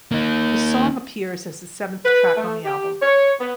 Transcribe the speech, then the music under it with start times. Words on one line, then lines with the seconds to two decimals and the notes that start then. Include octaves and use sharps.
The song appears as the seventh track on the album.
0.12 A#3 D#4
2.05 B4
2.36 A3
2.65 G4
3.02 C#5
3.40 B3